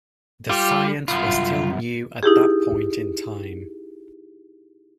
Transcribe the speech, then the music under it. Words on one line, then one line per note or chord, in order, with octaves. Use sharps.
The science was still new at that point in time.
G3 F4 G4
C2 F#2 F4
D#4 E4 G4 G#4